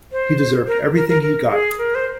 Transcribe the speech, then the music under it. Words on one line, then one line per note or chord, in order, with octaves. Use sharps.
He deserved everything he got!
C5
A#4
A#4
A#4
A#4
G#4
A#4
C5